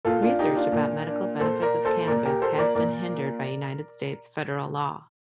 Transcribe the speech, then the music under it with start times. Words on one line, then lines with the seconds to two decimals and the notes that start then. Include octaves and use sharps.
Research about medical benefits of cannabis has been hindered by United States federal law.
0.05 A#2 F4 A4
0.22 D4 F4
0.39 D#4 G4
0.55 D4 F4
0.72 A#2 D4
1.07 D4
1.39 A#2 A4 C5
1.62 A#4 D5
1.85 A4 C5
2.07 A#2 A#4 D5
2.25 G4 A#4
2.42 A4 C5
2.58 A#4 D5
2.75 A#2 A#4 D5